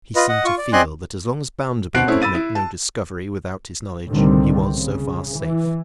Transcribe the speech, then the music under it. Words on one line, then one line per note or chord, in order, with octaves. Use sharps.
He seemed to feel that as long as Bounderby could make no discovery without his knowledge, he was so far safe.
F4 B4 D#5
D#5 F#5
F4 C#6
D5
C4 D5 D#5 G#5 C6 F#6
B2 C4 F#5 F#6 C7 D7
A3 C4 C#4 E4
B5 E6 A6 D#7
E4
A5
C2 A2 D3 D#3 G3 C4
C#3
E3